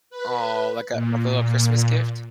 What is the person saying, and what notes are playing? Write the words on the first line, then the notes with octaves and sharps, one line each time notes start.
Aw, like a like a little Christmas gift?
B4
A#2